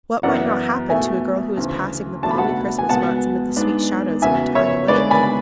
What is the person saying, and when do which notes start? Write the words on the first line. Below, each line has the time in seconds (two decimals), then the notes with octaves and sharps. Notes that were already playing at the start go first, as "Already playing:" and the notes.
What might not happen to a girl who was passing the balmy Christmas months amid the sweet shadows of an Italian lake?
0.23 F#2 E3 B3 E4 D5 F#5
0.90 B2 A3 E4 E5 G#5
1.57 D2 C#3 E3
2.23 B2 A3 D4 A5
2.31 B5
2.38 F#5 A5
2.79 G#5
2.89 C#2 B2 G#3 B3 F#5 A5
3.56 G#2 G#3 B3 D4
4.22 E2 C#3 E3 B3 F#4 E5 G#5
4.55 C#5 E5
4.88 D3 G#3 B3 D4 B4 D5
5.10 G#5 B5